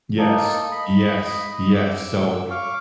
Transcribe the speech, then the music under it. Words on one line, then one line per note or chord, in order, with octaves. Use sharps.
yes, yes, yes, so,
A#3 D#4 A4
D#5 B5
D6 E6
F5 C#6 D6